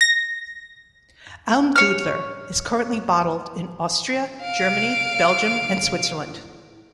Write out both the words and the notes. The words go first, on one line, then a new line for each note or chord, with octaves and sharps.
Almdudler is currently bottled in Austria, Germany, Belgium, and Switzerland.
A#6
C#5 F6
F5 D7